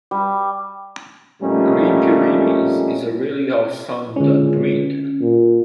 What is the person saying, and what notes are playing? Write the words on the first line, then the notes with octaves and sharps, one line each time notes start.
Great Pyrenees is a really awesome dog breed.
G3
F2 A#2 G3 A3 C#4 D#4
C#2 D3 C#4
A#2